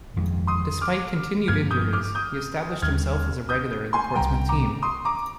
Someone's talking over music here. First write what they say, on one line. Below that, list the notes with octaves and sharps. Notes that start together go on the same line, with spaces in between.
Despite continued injuries, he established himself as a regular in the Portsmouth team.
G1 F2 D#3 G#3
C6 D#6
D6 F6
G2 F3 A#3 F6 G#6
D#6 G6
D6 F6
D#6 G6
D#2 D3 G3 F6 G#6
D#6 G6
G#5 C6
C2 C3 G3 G5 A#5
A#5 D6
C6 D#6
A#5 D6